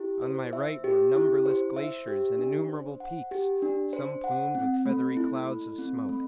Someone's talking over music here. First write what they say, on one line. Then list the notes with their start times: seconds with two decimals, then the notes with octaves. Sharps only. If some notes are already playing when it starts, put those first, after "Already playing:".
On my right were numberless glaciers and innumerable peaks, some plumed with feathery clouds of smoke.
Already playing: E4 G4
0.22 C5
0.53 E5
0.84 G4
1.14 E4
1.46 C5
1.76 E5
2.08 G4
2.38 D4
2.69 C5
3.00 F#5
3.31 G4
3.62 D4
3.93 C5
4.24 F#5
4.55 C4
4.86 A3
5.17 E4
5.47 A3
5.78 C4
6.09 A3